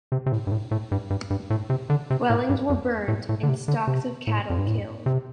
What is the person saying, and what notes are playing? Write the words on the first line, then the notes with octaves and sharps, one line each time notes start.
Dwellings were burned and stocks of cattle killed.
C3
C3
A2
G2
A2
A2
G2
G2
G2
A2
C3
D3
C3
A2
G2
F2
A2
A2
D3
C3
D3
C3
A2
F2
G2
A2
C3